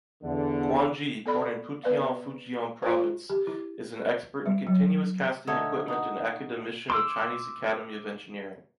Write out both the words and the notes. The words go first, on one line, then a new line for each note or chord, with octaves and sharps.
Guan Jie, born in Putian, Fujian Province, is an expert in continuous casting equipment and academician of Chinese Academy of Engineering.
E2 D3
B3 A4 D5 B5
B3 B4 D5 F5
F4 F#4 C5
G4
E4
G3
F#3
D3 A3 D#4 C#5
D#4 F#4
C6 D6 E6